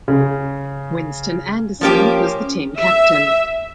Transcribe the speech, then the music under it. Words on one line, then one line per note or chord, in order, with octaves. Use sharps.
Winston Anderson was the team captain.
C#3
F3 A#3 C#4 G4
E5